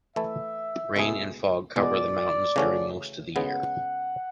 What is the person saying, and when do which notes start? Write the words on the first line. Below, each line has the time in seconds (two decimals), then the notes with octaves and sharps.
Rain and fog cover the mountains during most of the year.
0.16 E3 A3 E4 A4 E5
0.96 C#2 B2 A3 E4 G#4
1.76 E2 B2 G#3 B3 D5
2.56 C#3 E3 A3 C#4 F#4
3.36 C#3 G#3 B3 F#5